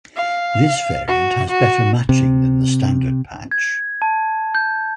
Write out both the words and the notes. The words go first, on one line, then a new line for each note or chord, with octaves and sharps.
This variant has better matching than the standard patch.
F5
F#4
F#4
C3
G#6
A5
G6